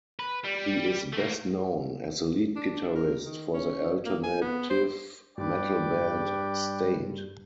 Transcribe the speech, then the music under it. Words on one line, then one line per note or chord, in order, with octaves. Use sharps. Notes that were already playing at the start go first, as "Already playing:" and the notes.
He is best known as the lead guitarist for the alternative metal band Staind.
B4
G3
A3 A#3
D4
A#4
D#3
C#4
A#3
G#5
B3
C5
G2 B4 D5 G5